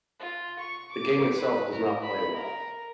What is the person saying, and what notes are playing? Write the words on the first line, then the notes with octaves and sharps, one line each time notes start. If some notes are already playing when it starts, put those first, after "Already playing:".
The game itself does not play well.
F4
C#6
D6
B4
A#4
B5
A#4